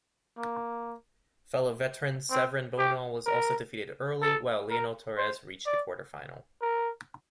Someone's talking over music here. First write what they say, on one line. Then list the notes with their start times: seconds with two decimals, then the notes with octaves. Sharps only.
Fellow veteran Severine Bonal was also defeated early, while Lionel Torres reached the quarterfinal.
0.37 A#3
2.31 C4
2.78 G4
3.26 A#4
4.22 A4
4.70 A#4
5.18 C5
5.66 D5
6.61 A#4